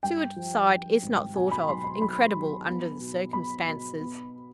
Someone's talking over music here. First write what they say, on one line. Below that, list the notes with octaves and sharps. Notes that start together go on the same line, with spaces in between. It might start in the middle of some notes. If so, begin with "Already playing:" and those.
Suicide is not thought of--incredible under the circumstances.
G2 G5
F3
F3
G#1
B2 G#5
B5
B1 C6
B5
B1 B5
B1
B3
B2
B3 B5
B2
B3